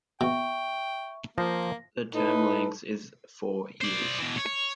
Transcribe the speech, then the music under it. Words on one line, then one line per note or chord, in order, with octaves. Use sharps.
The term length is four years.
B2 E5 G5 C#6
F3 A#3 C5 A#6
A2 D#4 A4 B4
C5 D5
B2 E3
C#5